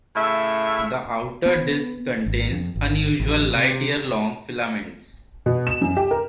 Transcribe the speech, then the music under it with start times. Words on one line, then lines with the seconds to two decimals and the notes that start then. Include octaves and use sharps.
The outer disk contains unusual light-year-long filaments.
0.16 A2 C#3 E5
1.46 B3
2.26 G#1
2.51 F2
2.76 G#1
3.20 A1
3.55 C3
5.46 B2
5.67 E7
5.81 F#2
5.97 G4
6.11 A#4